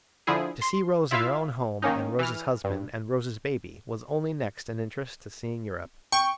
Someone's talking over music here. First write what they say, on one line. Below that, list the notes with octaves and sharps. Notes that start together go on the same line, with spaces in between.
To see Rose in her own home, and Rose's husband, and Rose's baby, was only next in interest to seeing Europe.
D3 F3 E4 G#4
C6
E4 F4 E5 F5
D#3 A#3 C#4 D#4
E3 F6
G2
G5 C#6